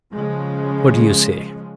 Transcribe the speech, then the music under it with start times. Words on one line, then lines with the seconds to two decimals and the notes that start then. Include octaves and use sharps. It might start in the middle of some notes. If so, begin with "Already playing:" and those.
What do you say?
0.13 C#3 F3 G#3 C#4